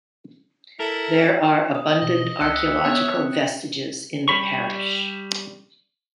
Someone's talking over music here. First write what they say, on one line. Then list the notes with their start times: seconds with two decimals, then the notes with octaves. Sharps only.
There are abundant archaeological vestiges in the parish.
0.80 E4 A4 A#4
1.75 D#6
2.02 B2 D#5
2.41 C#2 E5 F#6 C#7
2.85 B3 C#5
3.17 C4
4.28 G3 B5 C#6